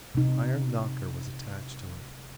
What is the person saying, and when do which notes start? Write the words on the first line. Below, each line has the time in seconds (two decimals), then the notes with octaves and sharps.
An iron knocker was attached to it.
0.15 C3 D#4